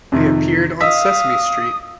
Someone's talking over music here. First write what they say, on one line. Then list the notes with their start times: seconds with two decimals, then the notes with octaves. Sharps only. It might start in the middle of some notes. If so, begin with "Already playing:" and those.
They appeared on Sesame Street.
0.12 F2 C3 D#3
0.81 D#5 F5 D#6 E6 B6